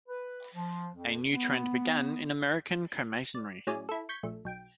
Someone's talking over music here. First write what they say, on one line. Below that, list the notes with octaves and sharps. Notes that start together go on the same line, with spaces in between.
A new trend began in American Co-masonry.
B4
F3
F2
B3
D5
A2 F#3 C#4 G#4 D5
E4 A4
C#6 G6 G#6 B6 C#7
A#1 A3
B1 G5 D7